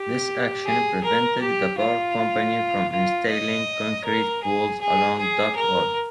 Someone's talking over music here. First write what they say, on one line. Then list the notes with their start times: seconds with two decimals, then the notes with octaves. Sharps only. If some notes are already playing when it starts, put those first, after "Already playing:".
This action prevented the power company from installing concrete poles along Duck Road.
Already playing: G4
0.65 G#4
1.03 A#4
1.41 G4
1.79 F4
2.92 F4
3.29 D#5
4.05 A#4
4.43 G#4
4.81 G#4
5.18 G#4
5.56 A#4